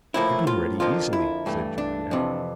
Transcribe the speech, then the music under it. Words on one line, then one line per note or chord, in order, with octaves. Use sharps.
"I could be ready, easily," said Juliet.
A2 F3 A#3 E4
F4
F2 D3 F3 A#3 F4
E4
G2 E3 A3
D4
F2 C3 E3